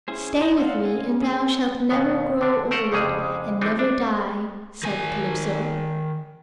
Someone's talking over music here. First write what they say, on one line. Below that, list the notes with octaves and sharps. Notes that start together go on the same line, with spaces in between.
"Stay with me, and thou shalt never grow old and never die," said Calypso.
C#4 E4 G#4 C5
C5 D#5
D5 F5 F#5 C6 E6
C4 C#4 G#5
C#4 G#4 G#5 E6
D#2 B2 B3
D3 D4
A3 A#4 C5 F#5
C2 F2 C#3 G3 G#3 G#4
E3 C4 D4 D#4
D4
D#3 G#5